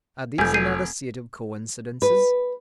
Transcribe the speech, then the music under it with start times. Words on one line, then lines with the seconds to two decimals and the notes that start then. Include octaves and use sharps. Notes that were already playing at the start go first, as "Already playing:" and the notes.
Are these another set of coincidences?
0.38 F1 G#5 G6
0.54 G6 C7 D#7
2.02 B4